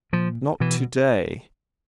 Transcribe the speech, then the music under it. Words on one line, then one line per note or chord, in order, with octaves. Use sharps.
"Not to-day."
A#2 F3
B2 E3